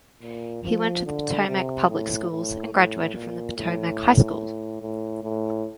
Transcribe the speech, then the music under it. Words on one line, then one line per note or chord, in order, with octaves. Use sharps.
He went to the Potomac public schools and graduated from the Potomac High School.
A#2
F3
D3
C3
A2
A2
A2
A#2
A2
A2
A2